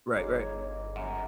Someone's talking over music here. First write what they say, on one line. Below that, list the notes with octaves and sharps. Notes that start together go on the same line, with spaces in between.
Right, right.
G1 G#3 A#3 D#4 C#5
F#2 A#5